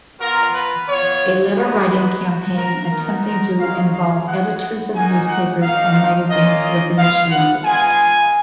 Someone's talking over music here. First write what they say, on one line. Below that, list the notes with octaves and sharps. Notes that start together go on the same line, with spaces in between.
A letter-writing campaign attempting to involve editors of newspapers and magazines was initiated.
B3 F4 A#4
B4
B3 F4 C#5
G#3 B3 D#4 F#4 B4
B3 F#4
A#4
B3 D#4 F#4 A#4
A#4
G#3 D#4 F#4 F5
F5
G#3 B3 F#4 F#5
F#5
A#3 D#4 F#4 G#5
F#5
A#3 D#4 F#4 F5
A#3 C#4 F4 D#5
D#5
G#3 B3 F4 F5
F#5
G#3 B3 F4 G#5